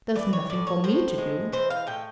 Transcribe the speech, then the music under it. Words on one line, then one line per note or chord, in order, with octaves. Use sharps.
There's nothing for me to do.
E3 D5
C#5
A2 D5
C#5
A2 C5
G#3
E3 C5
F5
A2 G5